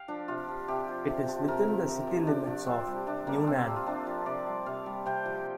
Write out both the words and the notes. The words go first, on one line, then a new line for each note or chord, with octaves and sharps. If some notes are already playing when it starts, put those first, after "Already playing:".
It is within the city limits of Newnan.
Already playing: F5 G5
F3 D4
C3 F4
F3
C3 G4
F3
C3
F3
C3 A#4
F3
C3
F3
C3 D4
F3
C3 C4
G3
C3 D4
G3 A#3
C3 C4
F3
F4
C3 D4
F3
C3 D5
G3
C3 F5
G3
C3 G5
F3